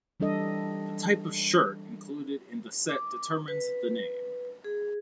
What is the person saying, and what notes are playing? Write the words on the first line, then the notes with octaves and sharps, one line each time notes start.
The type of shirt included in the set determines the name.
E3 G3 D4 A4 D#5
D6
B4
G#4